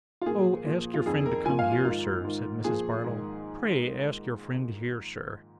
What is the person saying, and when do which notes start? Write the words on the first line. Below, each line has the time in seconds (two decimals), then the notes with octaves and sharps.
'Oh, ask your friend to come here, Sir,' said Mrs. Bardell. 'Pray ask your friend here, Sir.'
0.21 F4
0.26 A#2 F3 G#4
0.66 A#2 F3
0.94 F4
1.06 F2 D#3 G#4
1.26 A#4
1.46 A#2 F3 G#5
1.59 F5
1.72 F4
1.85 G#2 D#3 F4
2.25 G#2 D#3
2.64 A#2 F3 G#4
3.04 G#2 D#3